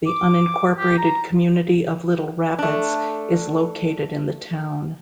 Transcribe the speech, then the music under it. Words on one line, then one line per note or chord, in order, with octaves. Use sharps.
The unincorporated community of Little Rapids is located in the town.
D6
G4
A#5
A3 D4